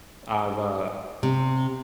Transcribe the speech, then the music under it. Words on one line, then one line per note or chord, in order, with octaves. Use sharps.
I've, uh
C3